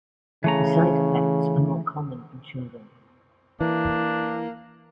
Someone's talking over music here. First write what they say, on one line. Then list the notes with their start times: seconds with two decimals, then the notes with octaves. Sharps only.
The side effects are more common in children.
0.44 C#3 E3 A3 A#5
3.61 E3 A#3 D4